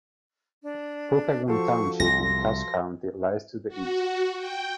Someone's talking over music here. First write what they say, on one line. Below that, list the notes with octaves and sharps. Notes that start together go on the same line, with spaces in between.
Pokagon Township in Cass County lies to the east.
D4
F3 F#4 A4 C5 C#6
C2 C6 A#6
F#4
G5